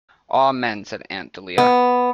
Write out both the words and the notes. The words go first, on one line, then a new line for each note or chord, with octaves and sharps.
"Amen," said Aunt Dahlia.
B3